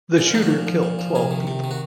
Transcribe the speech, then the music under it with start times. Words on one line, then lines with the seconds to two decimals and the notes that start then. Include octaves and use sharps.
The shooter killed twelve people.
0.18 A#2 G#4
0.26 F4
0.34 F3 D#4
0.42 F#4
0.51 A#2
0.67 F3
0.83 A#2
0.99 F3
1.15 C3 G#4
1.31 D#3
1.47 C3
1.64 D#3
1.71 F#4